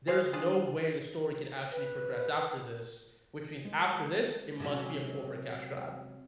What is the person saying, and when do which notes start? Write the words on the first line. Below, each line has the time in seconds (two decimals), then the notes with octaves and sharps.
"There's no way the story can actually progress after this, which means after this, it must be a corporate cash grab."
0.08 G#4 C5 F5
0.33 D4 F4 G#4
1.71 B4
3.65 G#3
4.60 C3 F#3 C#4